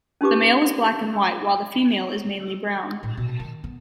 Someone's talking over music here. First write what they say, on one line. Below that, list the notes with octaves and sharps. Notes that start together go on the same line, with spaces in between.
The male is black and white, while the female is mainly brown.
C#4 D#4 F4 G4 B4 D6
A2
B2
D#3
B3